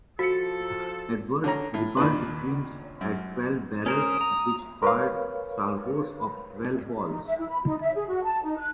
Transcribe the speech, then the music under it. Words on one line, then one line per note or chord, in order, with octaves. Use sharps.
Edward's ribauldequins had twelve barrels which fired salvoes of twelve balls.
F3 F#4 A4 C#7
D3 C#4 A#5
A2
D#2 A#2 D4 B4
F#2
C#4 A#4 C5 D#6
A#5
A#4 B4 C#5 F5
D#4
E5
E4
B5
D#4
E5
G#4
F#4
A5
D#4
F#6